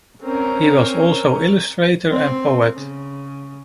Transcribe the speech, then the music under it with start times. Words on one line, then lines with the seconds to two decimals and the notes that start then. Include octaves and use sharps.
He was also illustrator and poet.
0.24 C4 C#4 A#4
2.11 C4
2.72 C#3